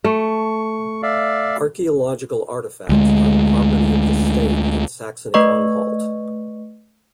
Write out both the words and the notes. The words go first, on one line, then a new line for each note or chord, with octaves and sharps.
Archaeological artifacts are the property of the state in Saxony-Anhalt.
A3 C#6
D5 E5 F5
D2 G#3
A3 B4 D#5 C#6